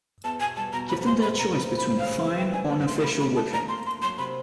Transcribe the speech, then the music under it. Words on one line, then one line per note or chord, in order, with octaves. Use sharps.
Give them their choice between a fine or an official whipping.
E2 A5
B2 G#5
G3 A5
B2 A#5
F3 B5
G#3 C6
E2 B5
C3 A#5
F3 B5
F3
B5
F2
F5
C#3
E3
E3 G5
G3 G#5
A#3 A5
A3 C6
F4 B5
F4 B5
A3 A5
A#3 A#5
A#3 C6
D4 C6
F#3 C6
C3 B5